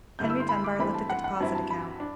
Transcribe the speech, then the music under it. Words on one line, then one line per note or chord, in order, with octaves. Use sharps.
Henry Dunbar looked at the deposit account.
G2 D3 A3 E4 G6
E6
C6
B5
D6
G2 E3 A3 C4 B5
A5
F#5
F#5
G2 F#3 C4 E4 A5
A5
B5
D4